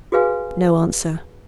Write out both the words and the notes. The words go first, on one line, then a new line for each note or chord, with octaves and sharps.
No answer.
F#4 G#4 B4 F5 G#5